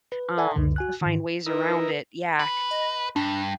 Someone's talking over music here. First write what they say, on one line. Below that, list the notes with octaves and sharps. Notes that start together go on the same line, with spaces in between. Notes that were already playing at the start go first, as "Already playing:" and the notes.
um, to find ways around it. Yeah.
B4
A4 D5 E5 F#5 G#5 A5
C#2 F#2 D3
F#4 G#5 F#6
G#2 D#3
D#4 E4 A#4 B4
B4
D#5
G2 D4